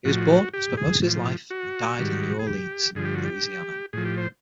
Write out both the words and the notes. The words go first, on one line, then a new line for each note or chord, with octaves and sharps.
He was born, spent most of his life, and died in New Orleans, Louisiana.
A2 F3 F#4
G4
G#4
A2 F3
F#4
G#2 D#3 G3
G#4
G4
G2 D3 F3 G#4
G4
F#4
G4
A2 F3 G#4
G4
C5